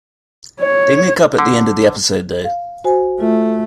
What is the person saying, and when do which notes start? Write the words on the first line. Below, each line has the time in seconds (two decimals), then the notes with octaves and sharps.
They make up at the end of the episode though.
0.61 C#5
1.38 D3
2.44 F5
2.84 F#4 C5 G#5
3.20 A3 F4